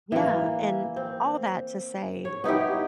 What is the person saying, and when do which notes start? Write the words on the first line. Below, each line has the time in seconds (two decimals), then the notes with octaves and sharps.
Yeah, and all that to say
0.12 E3 A#3
0.96 C4
2.25 C#5
2.44 B3 D#4 E4 G4